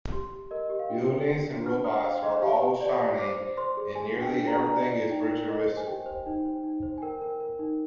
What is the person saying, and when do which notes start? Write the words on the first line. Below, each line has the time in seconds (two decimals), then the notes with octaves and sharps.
Buildings and robots are all shiny and nearly everything is futuristic.
0.12 G4 C6
0.32 G4
0.51 A#4 D#5
0.70 G4 D#5
0.79 F5
0.90 D4 G5
1.08 A#4
1.27 D4
1.46 D4
1.65 C5 F6
1.84 C5 D#6
1.96 G5
2.04 C5 F5
2.23 C5 D#5
2.42 G4 F5
2.62 G4
2.81 D5
2.99 D5
3.19 C5 D6
3.38 C5
3.57 C5 C6
3.77 G#4
3.95 G#4 G#5
4.15 D4
4.21 G5
4.34 D4
4.47 A#5
4.53 G#4
4.67 A#5
4.72 D5 G#5
4.91 D5
5.10 D#4 G5
5.30 A#4
5.48 C5 D#5
5.68 C5
5.77 G#5
5.87 G4 G5
6.06 C5
6.26 D#4 G5
6.45 C5
6.63 D#4
6.83 C5
6.98 G#5
7.02 A#4 G5
7.22 A#4
7.40 A#4
7.59 D#4